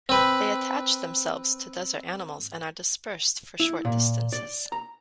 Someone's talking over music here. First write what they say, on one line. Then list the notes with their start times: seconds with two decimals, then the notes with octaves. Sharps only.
They attach themselves to desert animals and are dispersed for short distances.
0.09 C4 B4
3.60 E4
3.85 A#2
4.33 D5
4.72 A#5